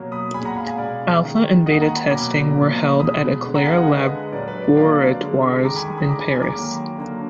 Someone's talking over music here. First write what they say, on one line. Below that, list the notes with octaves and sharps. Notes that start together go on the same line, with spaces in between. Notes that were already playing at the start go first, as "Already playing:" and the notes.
Alpha and beta testing were held at Eclair Laboratoires in Paris.
Already playing: B2 F#3 A#3
B5 D#6
A#2 G#3 G#5 B5
F#5 A#5
F5 G#5
F5 G#5
B2 G#3 D5 F5
D#3 G#3
D#3 A#3 D#5 F#5
F#5 A#5
G#5 B5
B2 F#3 A#3 A#5 D6
A#2 F3 A#3
B2 G#3 B5 D#6
D3 G#3
F#5 A#5
F5 G#5
D#5 F#5
D3 G#3 B4 D#5
A#2 F#3 A#3 D5
B4
D5
D3 F#3 A#3 D5 F5
D3 G#3
D#3 G#3 A#5 D6
G#5 B5
B5 D#6
D3 G#3 A#5 D6
G#5 B5
G#5 B5
A#5 D6
D#3 F#3 A#3
D3 F#3 A#3